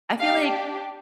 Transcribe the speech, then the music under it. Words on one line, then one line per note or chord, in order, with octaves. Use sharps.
I feel like
D4 G4 F5